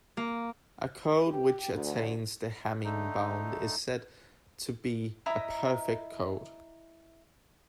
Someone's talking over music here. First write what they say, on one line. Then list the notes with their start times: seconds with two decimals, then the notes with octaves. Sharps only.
A code which attains the Hamming bound is said to be a perfect code.
0.17 A#3
1.27 G4
1.72 D2
2.85 D3 A3 D#4
5.26 E4 D#5 A#5 B5